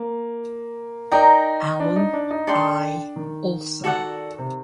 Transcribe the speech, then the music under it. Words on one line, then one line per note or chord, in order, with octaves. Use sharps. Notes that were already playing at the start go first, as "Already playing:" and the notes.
Allen I. Olson.
Already playing: A#3
D#4 A#4 D5 G5 A#5
D4
D#4
D4
D#4
D4 A4 D5 G5 C6
D#3
F#4 A4 D5 F#5
C3